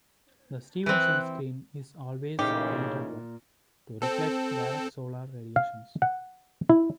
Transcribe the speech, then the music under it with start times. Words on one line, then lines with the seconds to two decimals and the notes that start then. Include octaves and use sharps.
The Stevenson Screen is always painted white, to reflect direct solar radiations.
0.86 E3 C4 F#6
2.39 A1 A#2 C#3 D#4 G4
4.02 C4 A4
5.56 F5
6.02 F#5
6.69 E4